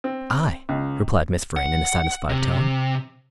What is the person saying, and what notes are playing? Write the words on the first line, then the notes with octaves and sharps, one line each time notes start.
"I!" replied Miss Vrain in a satisfied tone.
C4
C#2
F#5
C3